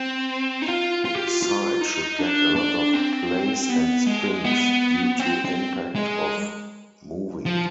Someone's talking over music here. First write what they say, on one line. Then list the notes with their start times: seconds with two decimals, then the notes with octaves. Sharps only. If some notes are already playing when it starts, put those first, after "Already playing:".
Side should get a lot of plays and spins due to impact of movie.
Already playing: C4
0.62 D#4
0.68 F4
1.05 F4
1.16 G4
1.27 F4
1.43 F4
1.81 D#4
2.19 D4
2.56 D4
2.94 C4
3.70 B3
4.06 G#3
4.44 B3
5.20 C4
5.45 C4
5.96 G#3
7.46 F3